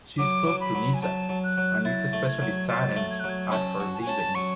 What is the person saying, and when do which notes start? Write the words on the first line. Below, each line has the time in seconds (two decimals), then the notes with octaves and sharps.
She is close to Nyssa, and is especially saddened at her leaving.
0.18 F#3 D6
0.47 F#3
0.60 B5
0.75 F#3
0.94 G#5
1.02 F#3 A5
1.29 F#3
1.43 F#6
1.58 F#3
1.85 E4 A6
2.13 A3
2.27 G#6
2.42 F#3
2.69 F#3 A6
2.96 A3
3.11 G#6
3.20 F#6
3.24 F#3
3.29 G#6
3.49 B5
3.52 C#4 A5
3.80 F#4
3.94 A5
4.01 G#5
4.07 C#4 A5
4.35 F#3 C#6